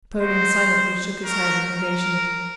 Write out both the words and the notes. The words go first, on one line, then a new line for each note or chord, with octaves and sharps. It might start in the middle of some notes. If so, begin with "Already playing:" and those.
Napoleon silently shook his head in negation.
C4 D#4 F#4 C5
A3 D#4 F#4 A#4
A#4